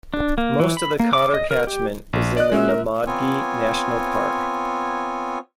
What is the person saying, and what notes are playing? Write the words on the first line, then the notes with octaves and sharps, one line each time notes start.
Most of the Cotter catchment is in the Namadgi National Park.
D4
A#3
E3
B5
A#3
D6
D#5
A#4
G4
A#1
D5 D#5 F#6
G#3 C#4 F#4 E5
A#4
B3 C4 F4 C#5 G#5